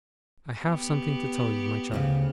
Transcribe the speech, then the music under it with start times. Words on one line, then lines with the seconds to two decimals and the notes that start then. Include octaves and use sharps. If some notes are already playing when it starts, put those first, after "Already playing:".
I have something to tell you, my child.'
0.64 B3 G4
1.92 D2 A2 C#3